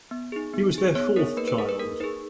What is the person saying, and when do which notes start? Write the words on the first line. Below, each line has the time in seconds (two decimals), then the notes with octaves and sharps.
He was their fourth child.
0.11 B3
0.32 D#4 G#4
0.53 B3
0.74 D#4 G#4
0.95 B3 C#5
1.16 D#4 G#4 A#4
1.37 A#3 B4
1.48 B4
1.58 D#4 G#4 A#4
1.69 B4
1.79 A#3 A#4
2.00 D#4 G#4 B4